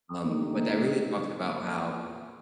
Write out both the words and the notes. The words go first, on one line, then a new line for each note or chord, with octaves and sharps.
Um, but that really talks about how,
D3 A3 A#3 D#4 G4
A#3
A#2